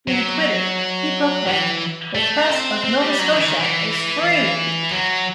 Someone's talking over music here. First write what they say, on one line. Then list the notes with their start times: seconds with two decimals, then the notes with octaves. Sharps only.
When acquitted, he proclaimed: the Press of Nova Scotia is free.
0.08 F#3
1.46 E3
2.15 A3
2.50 C4
2.84 C4
3.01 G3
3.19 F#3
3.36 E3
3.48 D#3
3.59 E3
4.91 F#3